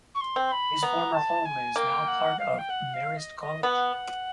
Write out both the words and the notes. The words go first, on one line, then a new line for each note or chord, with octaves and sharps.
His former home is now part of Marist College.
C#6
C6
C4
B5
B3 A#5
A5
G#5
A#3 G5
F#5
F5
G5
F#5
F5
D#5
D#5
B3 F#5